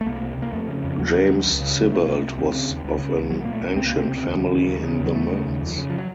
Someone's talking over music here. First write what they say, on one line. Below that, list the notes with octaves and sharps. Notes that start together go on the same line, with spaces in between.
James Sibbald was of an ancient family in the Mearns.
A3
C2 A#3
C3
C2 A#3
F2 A3
C#3
F2
D#2 F#3
F3
C#3 F#3
D#2
C#2
C#3
C#2
F#3
C2 A3
C3 A#3
A3
C2
D#2 C4
C#3
D#2
C#2
C#3
C#2
C2 F#3
A#2 A#3
A3
C2
C#2 C4
A#3
C3
C4
C#2
D#2
C#3
D#2
D#2
C#3
D#2 F#3
D#2 A3
C#3
D#2
F2
C#3
F3
F#3